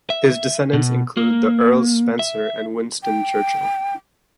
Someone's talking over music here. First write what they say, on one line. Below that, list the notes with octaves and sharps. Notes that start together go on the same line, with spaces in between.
His descendants include the Earls Spencer and Winston Churchill.
E5
B2
A#3
E5
G5